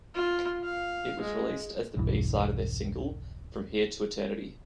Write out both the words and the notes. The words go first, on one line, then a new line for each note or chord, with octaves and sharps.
It was released as the B-side of their single "From Here to Eternity".
F4
F5
G#3
B1 E2 G2 E3